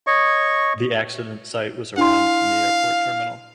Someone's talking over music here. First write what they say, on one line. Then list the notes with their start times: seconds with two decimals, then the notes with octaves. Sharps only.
The accident site was around from the airport terminal.
0.07 C#5 D#5 C#6
1.98 D4 E4 F5 C6